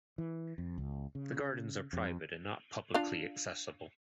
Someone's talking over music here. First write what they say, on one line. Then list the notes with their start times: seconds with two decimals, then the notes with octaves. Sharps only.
The gardens are private and not publicly accessible.
0.18 E3
0.58 F2
0.78 C#2
1.15 C#3
1.93 F2
2.94 D4 F4 F5